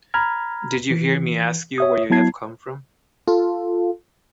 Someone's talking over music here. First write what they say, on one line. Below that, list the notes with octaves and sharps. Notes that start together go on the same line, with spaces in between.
Did you hear me ask you where you have come from?
A#5 B5 F6 G#6
E3
C#5 E5 D#6
F#3 B3 E4 A5 G#6 C7
F4 A4